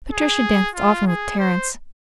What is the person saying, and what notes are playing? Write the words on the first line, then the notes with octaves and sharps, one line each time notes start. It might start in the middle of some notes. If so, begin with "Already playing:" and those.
Patricia danced often with Terence.
G#4
F4
G#4
C5